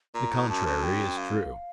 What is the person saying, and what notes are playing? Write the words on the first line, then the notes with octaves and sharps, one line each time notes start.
The contrary is true.
A#2 A#5
A2
F#2 A5
F#2
G5
F5